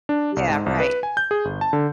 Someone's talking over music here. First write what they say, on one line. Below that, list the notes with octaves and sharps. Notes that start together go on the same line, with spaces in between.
Yeah, right.
D4
C2
G#2
C2
B4
G#5
G6
G#4
G1
A5
D3